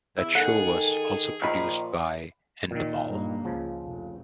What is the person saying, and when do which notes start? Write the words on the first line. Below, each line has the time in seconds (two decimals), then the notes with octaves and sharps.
That show was also produced by Endemol.
0.17 E2 E4
0.35 D#3 G#4 A4 F#5
1.42 A#2 D#3 F3 B5
2.71 A#2 D#3
3.05 G2 A#3
3.44 C#2 C#3 F3
3.82 F1